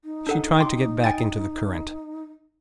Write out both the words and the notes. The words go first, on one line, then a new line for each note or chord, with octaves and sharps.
She tried to get back into the current.
D#4
D4 A4 F#5
G5 C6 D6
G5 G#5 A6